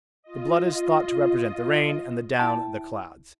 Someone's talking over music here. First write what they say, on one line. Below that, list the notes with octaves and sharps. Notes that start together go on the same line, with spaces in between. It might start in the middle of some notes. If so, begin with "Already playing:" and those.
The blood is thought to represent the rain, and the down the clouds.
F4 D#5
E4 G5 A5